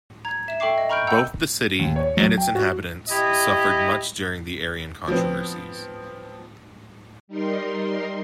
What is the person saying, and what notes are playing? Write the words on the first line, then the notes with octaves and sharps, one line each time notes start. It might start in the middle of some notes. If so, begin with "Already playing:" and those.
Both the city and its inhabitants suffered much during the Arian controversies.
A#5 G#6
E5 E7
A4 E5 G5 C#6 D6 C7
D#5
A#5 B5 C#6 F6 G6 D7
F#5 G5 A#5 E6 G6
D#2
C#5
F#3
G5
F#4
E4 G4 D#5
F3 B3 C4
G3 D#4 A#4 C6